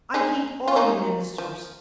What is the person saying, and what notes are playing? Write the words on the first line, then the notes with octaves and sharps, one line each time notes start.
I hate all you ministers.
D#4 G#4
F4
A#3 D#4
F3